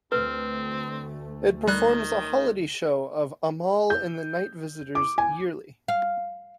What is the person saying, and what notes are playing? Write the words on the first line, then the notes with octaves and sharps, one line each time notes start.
It performs a holiday show of "Amahl and the Night Visitors" yearly.
D2 A3 C4 B4
D#3 G3 F#6
G6
D6
G#5
F5